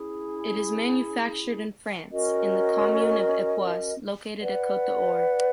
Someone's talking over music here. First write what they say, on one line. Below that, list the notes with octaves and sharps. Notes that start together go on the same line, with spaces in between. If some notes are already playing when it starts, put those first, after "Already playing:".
It is manufactured in France, in the commune of Epoisses located at Côte-d’Or.
Already playing: C#4 E4 G#4
C#4 F#4 A#4 D#5
B4 D5 F#5